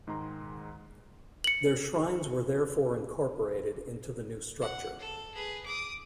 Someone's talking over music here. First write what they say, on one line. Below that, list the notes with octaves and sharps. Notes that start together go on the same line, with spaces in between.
Their shrines were therefore incorporated into the new structure.
G#2 D#3 G#3 A#5 C6
C#7 F#7
F#5
A4
G#4 B4
D6 D#6